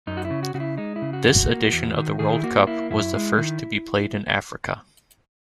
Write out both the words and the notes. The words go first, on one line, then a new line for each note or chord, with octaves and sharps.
This edition of the World Cup was the first to be played in Africa.
F#2 D#4
F#4
E4
C#3
F#4
C#3 F#4
E4
G#3 D#4
E4
C#3
F#4
F#2
F#4
A#3
E2
D#3
D#3 G#4
E4
A#3 F#4
A#3 E4
F#2 E4
G#3
D#3